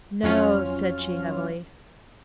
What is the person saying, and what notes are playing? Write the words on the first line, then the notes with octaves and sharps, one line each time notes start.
'No!' said she, heavily.
F2 F#3 C#4 F4 F6